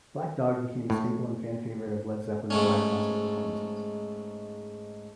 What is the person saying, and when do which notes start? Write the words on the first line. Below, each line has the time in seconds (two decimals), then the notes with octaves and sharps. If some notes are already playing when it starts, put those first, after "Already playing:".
"Black Dog" became a staple and fan favourite of Led Zeppelin's live concert performances.
0.90 A2
2.50 G#2 A3 C#4